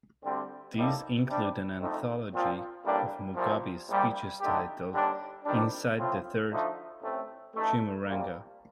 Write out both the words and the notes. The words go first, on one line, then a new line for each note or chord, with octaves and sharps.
These include an anthology of Mugabe's speeches titled "Inside the Third Chimurenga".
D2 D3 G3 C4
A2 G3 A#3 D#4 A4
C3 G3 D4
F2 D3 A3 D#4
A#2 F3 C4 F4
A1 A2 G3 A#3 D4
C2 A#2 F3
A#1 A#2 G3
D3 A3 D#4 G4
D#2 D3 G3 D4
F2 D#3 G3 D4
A2 F3 C4 F4
D2 D3 F3 A3 D#4
A1 A2 A3 C4
A1 A2 A3 D#4 A4
C2 A#2 G3 A#3